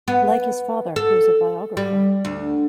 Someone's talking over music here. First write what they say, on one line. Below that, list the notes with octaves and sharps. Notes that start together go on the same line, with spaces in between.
Like his father he was a biographer.
B3
A4
G3
D2